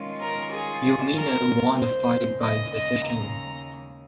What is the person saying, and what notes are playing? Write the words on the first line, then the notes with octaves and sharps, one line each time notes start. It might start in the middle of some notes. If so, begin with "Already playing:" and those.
Umeno won the fight by decision.
Already playing: D#3 G#3 C#4 F4
A#4
G#4
A#4
D#2 C#3 G#3 C5
D#5
D#5
A#5